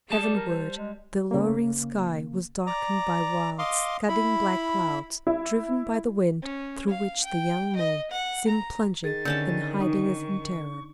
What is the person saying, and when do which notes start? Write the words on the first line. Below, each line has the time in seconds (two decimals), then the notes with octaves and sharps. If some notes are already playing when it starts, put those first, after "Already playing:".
Heavenward, the lowering sky was darkened by wild, scudding, black clouds, driven by the wind, through which the young moon seemed plunging and hiding as in terror.
0.10 G3 G#4 A5
0.22 D5
0.36 A#4
0.49 C5
0.77 G#3
1.31 C#3 A#3
2.67 D5 A#5
3.59 D#5 F5 C6 D6
4.09 E4 B5
5.27 E4
6.42 C#4
6.90 F5
7.25 G5
7.76 D#5
8.11 F#5
8.48 A#5
9.04 D#3 G#4 A6
9.25 D3 C#4 A5 G6
9.81 D#4 C#6